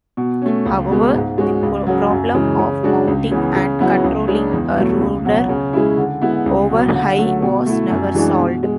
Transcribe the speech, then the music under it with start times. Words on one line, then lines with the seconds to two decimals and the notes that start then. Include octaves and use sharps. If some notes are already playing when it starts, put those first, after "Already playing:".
However, the problem of mounting and controlling a rudder over high was never solved.
0.17 B2
0.42 A3 C#4
0.65 C#2
0.90 B2 G#3 B3
1.14 G#2
1.38 G#3 C#4 F#4
1.63 C#2
1.87 C#3 F#3
2.11 F#2
2.35 C#3 E3 G#3
2.59 C#3
2.83 G#3 D4 F#4
3.07 C#2
3.31 C#3 E3 B3
3.56 C#3
3.80 F#3 B3 E4
4.04 C#2
4.28 C#3 G#3 D4
4.52 E2
4.76 B2 F#3 A3
5.01 C#2
5.25 B2 F#3
5.49 C#3
5.73 G#3 C#4 E4
5.98 D3
6.22 G#3 B3 E4
6.46 C#2
6.70 B2 F#3 C#4
6.94 D3
7.18 F#3 A3
7.42 B2
7.66 A3 E4
7.90 F#2
8.15 E3 G#3 D4 F#4
8.38 B2
8.63 G#3